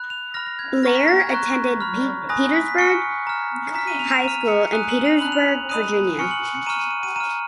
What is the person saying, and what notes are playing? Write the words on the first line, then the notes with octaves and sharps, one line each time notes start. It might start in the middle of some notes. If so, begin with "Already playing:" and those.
Blair attended Petersburg High School in Petersburg, Virginia.
Already playing: B5 F#6
F7
B5 F6 A#6
A#6
G#6
A#5 C#6 F6 A#6
B6
A#6
G#6
A#5 C#6 F#6
B5 F6
G#5 B5 D#6 F#6 A#6
B6
B6
G#5 C#6 F6 C#7
A#5 F6
A#5 F6 B6
D#7
F7
F7
A#5 F6 D#7
C#7
G#5 D#6 F#6 D#7
F#7
F7
B5 F#6 F#7
F7
B5 D#6 F#6 D#7
G#5 C#6 F6 C#7
F#7
C#7
A#5 C#6 F6 D#7
D#7
D#7
D#7
A#5 F6 D#7